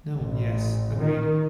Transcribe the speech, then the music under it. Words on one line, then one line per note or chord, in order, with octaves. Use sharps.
No. Yes. Agreed.
A1
D#3